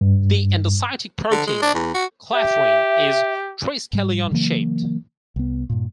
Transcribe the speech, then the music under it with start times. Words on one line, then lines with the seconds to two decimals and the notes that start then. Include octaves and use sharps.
The endocytic protein, clathrin, is triskelion-shaped.
0.01 G2
1.31 D3
1.47 G#3
1.62 D4
1.74 E2
1.94 F#4
2.34 G4 E5
3.93 G#2 G3
4.31 C#3 E3 F#3 A#3
5.36 C2 B3
5.70 G2 A#2